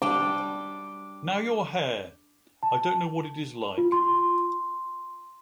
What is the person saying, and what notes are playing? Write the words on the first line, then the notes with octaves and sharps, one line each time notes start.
Now your hair, I don’t know what it is like!
G3 D4 G5 D6
A5
F4
C6